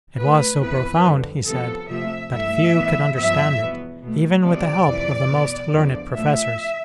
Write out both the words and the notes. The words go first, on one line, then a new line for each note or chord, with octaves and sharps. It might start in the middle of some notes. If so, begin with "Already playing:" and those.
It was so profound, he said, that few could understand it, even with the help of the most learned professors.
B2 A3 B4
F2 E3 B3 B4
F2 D3 G3
C3 F3 B3 A4
C3 F3 A3 E5
G2 E3 A3 E5
A2 E3 B3
G2 F3 B3 E5
E2 B2 B3
B2 A3
C3 F3 B3 D5
F2 C3 E3
B2 B3
E2 D3 F3
A2 F3 A3 E5